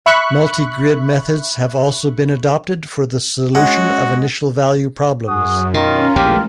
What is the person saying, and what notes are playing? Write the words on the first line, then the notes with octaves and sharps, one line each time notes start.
Multigrid methods have also been adopted for the solution of initial value problems.
E5 B5 C#6 F#6
G#3 C#4 F#4 F#5
F#2 F#4 G#4 D#6
B2 D#3 C#4 F4 A#4
A#1 D#2 B2 E3 G#3 A3 G4